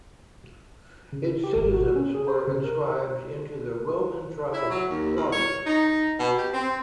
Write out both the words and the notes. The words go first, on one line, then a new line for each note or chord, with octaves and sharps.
Its citizens were inscribed into the Roman tribe, "Claudia".
C#3
G4
G#1
F#4
C#4
G#4
C5
C#3
A#4
E4
F#3
D#2
E2
C#5
D#4
B2
G4
C4